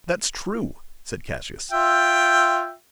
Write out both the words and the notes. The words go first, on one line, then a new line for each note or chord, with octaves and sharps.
"That's true," said Cassius.
F4 E5 G5